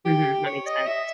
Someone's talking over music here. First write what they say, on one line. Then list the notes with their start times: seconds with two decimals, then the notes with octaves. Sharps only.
Mhm, that makes sense.
0.05 G4
0.46 C#5
0.67 D#5
0.86 E5